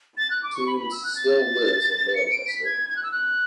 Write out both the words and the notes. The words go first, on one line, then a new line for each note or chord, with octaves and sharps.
Tunes still lives in Manchester.
A6
F#6
D6
C#6
B5
B5
E6
F#6
A6
C#7
D7
B6
G#6
G#6
F#6
E6
F#6